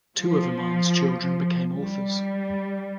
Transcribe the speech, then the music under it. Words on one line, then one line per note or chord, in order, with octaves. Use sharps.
Two of Oman's children became authors.
F3
G3